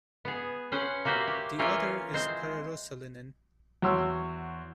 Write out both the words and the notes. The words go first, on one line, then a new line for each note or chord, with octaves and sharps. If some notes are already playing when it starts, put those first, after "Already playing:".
The other is pararosaniline.
B3 G#4
C#4 B4 C5 F#5
A#3 F#4 G4 C5 E5
G4
E3 A#3 C#4 E4 F4 G#5
G#3 C4 C5
E2 F#4 C#5 C6 E6